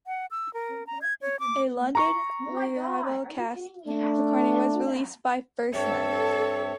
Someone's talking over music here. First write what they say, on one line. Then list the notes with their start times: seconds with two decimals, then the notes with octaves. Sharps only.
A London revival cast recording was released by First Night.
0.07 F#5
0.31 E6
0.54 A#4
0.87 A#5
1.02 G#6
1.21 C#5
1.40 D6
1.95 A#5 C#6
3.86 A3 D4
5.73 G2 C4 A4 C#5 E5